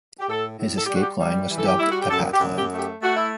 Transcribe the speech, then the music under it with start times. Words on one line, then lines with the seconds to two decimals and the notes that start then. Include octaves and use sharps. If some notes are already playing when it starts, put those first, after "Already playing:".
His escape line was dubbed the Pat Line.
0.19 G4
0.28 A2 A4
0.59 A2
0.74 A4
0.84 G4
0.89 G3 F#4
1.03 G4
1.20 G3
1.50 E3
1.57 A4
1.65 G4
1.80 G3 E4
1.90 F#4
2.00 G4
2.10 F#2 A4
2.34 G4
2.41 F#2
2.56 G4
2.71 A3
2.78 G4
3.01 A3 F#4
3.14 E4